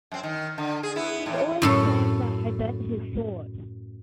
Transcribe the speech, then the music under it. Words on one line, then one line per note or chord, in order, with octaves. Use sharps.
'He always claimed that I bent his sword.
F#2 C4
D#3
D3
G#4
B3 E4
E2 A2
F#2 A2 A4